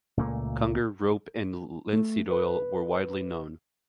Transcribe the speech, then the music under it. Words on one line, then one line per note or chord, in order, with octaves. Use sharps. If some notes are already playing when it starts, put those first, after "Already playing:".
Kungur rope and linseed oil were widely known.
C#2 A#2 A3 A#3
A3
B4